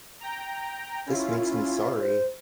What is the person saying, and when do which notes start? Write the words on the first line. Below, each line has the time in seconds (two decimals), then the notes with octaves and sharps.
This makes me sorry.
0.20 G5 A#5
1.06 C#4 E4 F4
2.01 C5